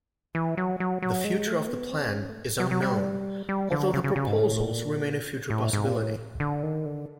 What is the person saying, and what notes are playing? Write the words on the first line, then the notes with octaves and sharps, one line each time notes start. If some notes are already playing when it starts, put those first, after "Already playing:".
The future of the plan is unknown although the proposals remain a future possibility.
E3
F#3
F#3
F#3
G#3
A3
B3
C4
C#4
A3
F#3
F#3
G3
G3
D3
C#3
C#3
C#3
G#2
A2
A#2
A2
G#2
A#2
A2
D3
D#3
D3